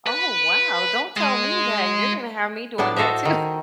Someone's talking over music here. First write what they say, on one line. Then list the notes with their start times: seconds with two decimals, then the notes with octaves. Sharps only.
Oh, wow, don't tell me that, you're gonna have me doing that too.
0.07 B4
1.17 G#3
2.78 A2 B3 D4 A5
2.96 F#4 A4 C5 D#5 E5
3.25 D#3